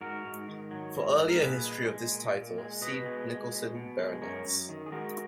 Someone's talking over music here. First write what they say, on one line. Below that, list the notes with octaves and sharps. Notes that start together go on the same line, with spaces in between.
For earlier history of this title, see Nicolson Baronets.
G#2 F#4 A#4
G#2
D#3
F#3
G#2
G#2
A#4
A#2 G#4 B4
G#3
G#3
A#2
A#2
G#3
B2 B4 D#5
G#3
G#3
B2
B2
G#3
F#2 A#4 C#5
F#2
D#3
G#4
G#3 F#4 A#4